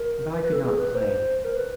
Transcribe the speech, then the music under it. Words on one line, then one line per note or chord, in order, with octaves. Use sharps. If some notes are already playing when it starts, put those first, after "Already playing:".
But I could not play.
Already playing: A#4
B4
B4
A4
G#4
B4
C5
A#4
B4